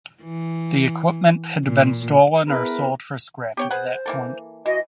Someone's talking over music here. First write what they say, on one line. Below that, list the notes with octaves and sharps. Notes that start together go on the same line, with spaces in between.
The equipment had been stolen or sold for scrap at that point.
E3
A#2
B3 E4 G#4 A#4 B4
B3 G4 C#5 G5
G#4 B4 C5 F#5
E3 A#3 A4
E3 F#4 D#5